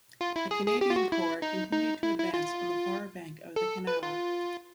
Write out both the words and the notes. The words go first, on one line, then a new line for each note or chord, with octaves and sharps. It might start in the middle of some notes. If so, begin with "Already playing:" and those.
The Canadian Corps continued to advance on the far bank of the canal.
F4
E4
G#4
G#4
G4
F4
F#4
E4
D#4
D#4
E4
E4
F4
A4
B4
F4